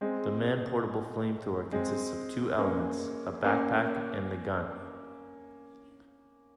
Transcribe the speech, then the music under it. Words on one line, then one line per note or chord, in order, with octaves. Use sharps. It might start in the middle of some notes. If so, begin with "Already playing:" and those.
The man-portable flamethrower consists of two elements: a backpack and the gun.
G#3 C4
G#3 C4
A#3 C#4
A#3 C#4